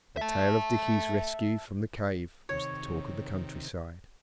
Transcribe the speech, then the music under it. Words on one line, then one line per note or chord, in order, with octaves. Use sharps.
The tale of Dickie's rescue from the cave was the talk of the countryside.
E5 A5
C3 D#3 C#5